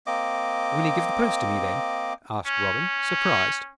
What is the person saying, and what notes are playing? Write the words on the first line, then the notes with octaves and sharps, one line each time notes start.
"Will he give the purse to me, then?" asked Robin, surprised.
A#3 C4 D#5 D6
C#4